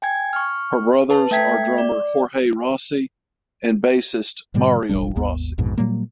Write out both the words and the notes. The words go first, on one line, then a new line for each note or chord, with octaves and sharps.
Her brothers are drummer Jorge Rossy and bassist Mario Rossy.
G5 G#5 G#6
C#6 F6
B4 A5
A3 E5 G5 G#6 B6
D5
G#2 B2 D3 G3
E1 A1 G3 D4
G#1 D#2 B3
A#1 F2 G#2 B2
A#2 F#3 G3 A#3